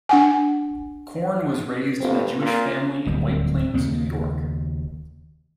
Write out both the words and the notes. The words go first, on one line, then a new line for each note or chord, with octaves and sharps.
Corn was raised in a Jewish family in White Plains, New York.
D4 F#5 G#5
G1 C4 F4
A#2
D1 D#2 G3
D#2 C#3